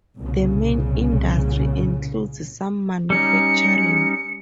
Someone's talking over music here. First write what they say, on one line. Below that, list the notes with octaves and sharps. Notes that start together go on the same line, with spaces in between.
The main industry includes some manufacturing.
C2 A#2 C#3
G3 C#4 D#4 C#7